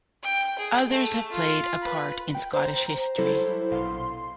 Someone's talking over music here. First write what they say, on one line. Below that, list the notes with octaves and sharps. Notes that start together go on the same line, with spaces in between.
Others have played a part in Scottish history.
G5
G#4
A3
F4
B4
G5
C5 A#5
F#3 G3 E4 A4 C5
A#1 B2 F5 C6
C6